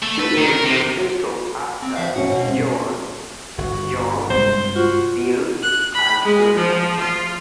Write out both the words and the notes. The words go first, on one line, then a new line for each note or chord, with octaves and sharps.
She is the sister of actors Joan, John, Bill, and Susie.
A3
B4
D#3
A#4
C3
C4
F3 E5 F5
D#2 C#4 F#4 F#5
B2
C3 C4
G1 F#4
G2 C3 G#3 C5
F4 F#4
F#6
B5
G#3
F3
F4